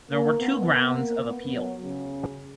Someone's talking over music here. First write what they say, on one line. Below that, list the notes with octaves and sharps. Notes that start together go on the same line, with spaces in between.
There were two grounds of appeal.
A#3
B3
A#3
B3
F#3
C#3